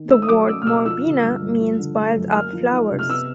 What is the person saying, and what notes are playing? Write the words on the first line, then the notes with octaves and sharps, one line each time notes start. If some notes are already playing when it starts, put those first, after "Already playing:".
The word "Moribana" means "piled up flowers".
Already playing: D#3
A3 E6
D#6
F#3 D6
C#4 E6
F6
B2 E6
F3 E6
D3
G2
G2
F3
D3
A3
F#2
A#3 F6
F3
D#4
C3
F6
B3 E6